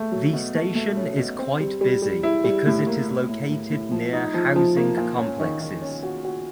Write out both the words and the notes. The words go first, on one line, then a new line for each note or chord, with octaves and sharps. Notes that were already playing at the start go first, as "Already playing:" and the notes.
The station is quite busy because it is located near housing complexes.
Already playing: A3
F#3
B2
A3
A3
C#4
B2
C4
G3
G3
G3
E4
G3
A2
A#3
A2
A2
A2
A2
F3
D#4
F3
F3
A#3
A#2
C#4
D#3
D#3
C#4
F#4
F#4